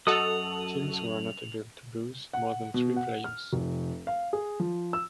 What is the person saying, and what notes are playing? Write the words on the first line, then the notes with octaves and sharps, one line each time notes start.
Teams were not able to lose more than three players.
F#2 F#4 A4 D#5 D#6 F7 F#7
F#5
B2
F#5
F6
F1
F5
G#4
F3
E6